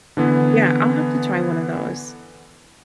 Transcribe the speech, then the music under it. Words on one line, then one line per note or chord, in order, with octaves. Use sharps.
yeah, I'll have to try one of those.
D3 E3 B3